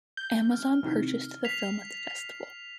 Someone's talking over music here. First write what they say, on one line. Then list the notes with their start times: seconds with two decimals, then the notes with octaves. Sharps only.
Amazon purchased the film at the festival.
0.17 G6
0.51 F6
0.83 C3 D#3 E3
1.45 B6 C7 F7